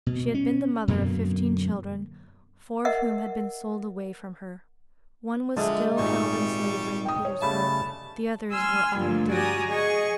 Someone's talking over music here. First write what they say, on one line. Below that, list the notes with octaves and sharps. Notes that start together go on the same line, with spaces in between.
She had been the mother of fifteen children, four of whom had been sold away from her; one was still held in slavery in Petersburg; the others were all dead.
B2
C#4
F#2 B2 D3 A#3
A#4 D#5 E5 F#5
D3 F3 G#3 D#5 E5 A5
G#1 A#2 G3 D#4 C#6
G5 D#6
C#5
C#3 G3 A3 B4 A5
G#5 C6 E6 F6
G2 A#2 D3 F3 A3
F#4 G4 D5 G#5 A#5 D#6
G#4 D#5 G#5 C#6